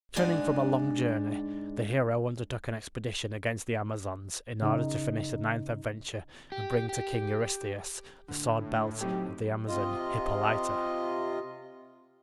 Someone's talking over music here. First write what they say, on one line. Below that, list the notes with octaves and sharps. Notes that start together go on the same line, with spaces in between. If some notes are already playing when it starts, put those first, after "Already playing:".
Returning from a long journey, the hero undertook an expedition against the Amazons in order to finish the ninth adventure and bring to King Eurystheus the sword belt of the Amazon Hippolyta.
G#2 G#3 D4 F#5 G#5
C#3 D#4
G4
G4
A2 D3
F#3 A3 C4 D#4 G4
C3 F4 D#5